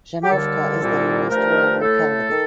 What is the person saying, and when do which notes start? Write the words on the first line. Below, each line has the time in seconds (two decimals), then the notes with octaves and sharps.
Rzhanovka is the nearest rural locality.
0.24 G4
0.31 D#2 D3 G3 A#3 A4
0.81 C2 A#2 G3 A#3
1.30 G2 F3 A3 A#4
1.80 A2 A3 A4
2.31 D#3